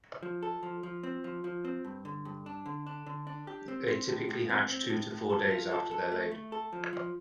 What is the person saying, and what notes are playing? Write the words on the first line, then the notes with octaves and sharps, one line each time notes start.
They typically hatch two to four days after they are laid.
F3
A4
F3
F3
C4
F3
F3
C4
G2
D3
G2
D4
D3
D4
D3
D4
G4
C4
C4
A2
A2
C4
C4
A2
A2
A4
F4
A4
A4
A3
A3
A4
F3
F3